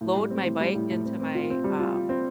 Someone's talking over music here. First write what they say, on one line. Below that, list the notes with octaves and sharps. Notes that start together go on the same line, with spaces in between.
load my bike into my, um,
A2
G3
C4
A2
G3
A2
A2
C4
C4
F4
C4
G3
F4
F4
C4